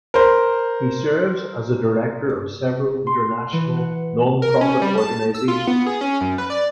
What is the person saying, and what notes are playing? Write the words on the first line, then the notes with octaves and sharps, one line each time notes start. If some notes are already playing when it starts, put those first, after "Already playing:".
He serves as a Director of several international non-profit organizations.
A#4 C5
C6
E3
F#5
A#4
C#4
G3
A5
E6
F4
B3
G#4
C#4
F#2
B4
D5